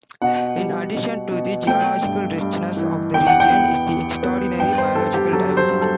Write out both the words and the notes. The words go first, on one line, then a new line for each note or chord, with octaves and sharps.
In addition to the geological richness of the region is the extraordinary biological diversity.
B2 F#5
G3
B2
B2
A3 G5
G2
G2
E3
E2 G5
F#5
G5
B3
E2
B3
G2 G5
C5
G2 A4
G4
F#3 A4
C5
G2
A4